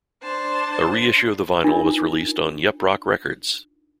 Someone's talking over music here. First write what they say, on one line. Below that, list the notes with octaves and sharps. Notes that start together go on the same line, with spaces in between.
A reissue of the vinyl was released on Yep Roc records.
D4 C5 A5
D4 D#4 F4 A#4